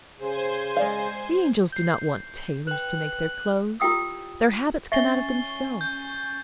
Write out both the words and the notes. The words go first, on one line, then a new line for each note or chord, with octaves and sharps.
The angels do not want tailors to make their clothes: their habits come out of themselves.
C#3 C5 G#5 C6
G#3 D5 F5
G6 C7
B4 G5 F#6
E4 F4 G4 G5 D#6 E6
C#4 E5 G#5 C#6 A6 C7 G7
G6